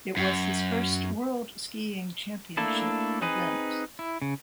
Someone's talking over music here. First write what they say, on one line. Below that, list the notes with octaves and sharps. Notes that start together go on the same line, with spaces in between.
It was his first World Skiing Championship event.
F#2
A3 A#3 D4 E4 A4
C4 D#4 G#4 B4
E4
C#3